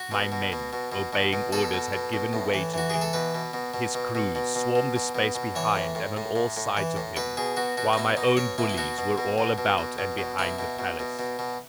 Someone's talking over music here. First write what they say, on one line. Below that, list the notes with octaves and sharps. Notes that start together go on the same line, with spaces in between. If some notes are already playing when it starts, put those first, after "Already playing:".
My men, obeying orders, had given way to him; his crews swarmed the space behind and on all sides of him, while my own bullies were all about and behind the palace.
Already playing: F#4
B2
B2
B2
B2
B2
B2
B2
B2 A4
B2
B2
B2
A2
E3
E3 F#4
E3 G#4
A4
B2 B4
B2
B2
B2
B2
B2
B2
B2
B2
B2
B2
B2
E3 C#5
A2
A2
A2
A2
A2
E3
A2
B2 B4
B2 G#4
B2 F#4
B2 F#4
D#4
B2 E4
B2 D#4
B2 C#5
B2 E4
E4
B2 F#4
B2
B2
B2
B2
B2
B2
B2
B2 E4
B2
B2
B2
B2
B2